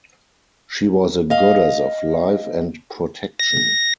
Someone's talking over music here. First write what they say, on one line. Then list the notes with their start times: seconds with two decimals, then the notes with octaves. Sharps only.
She was a goddess of life and protection.
1.30 D#5 F5
3.40 A#6